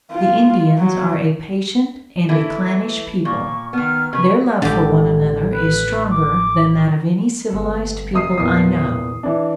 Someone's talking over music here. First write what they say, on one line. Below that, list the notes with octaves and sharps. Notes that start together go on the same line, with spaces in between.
The Indians are a patient and a clannish people; their love for one another is stronger than that of any civilized people I know.
F4
F#3
E3 A3 E4
A#2 C#6
D#3 B3 F6
C#3 B4 C#6
A1 D3 G#3 D4 G4
B4
D6
G1 A4
F#1 D#6 C7
E2 A#2 E3 D#6 C7
E3 D4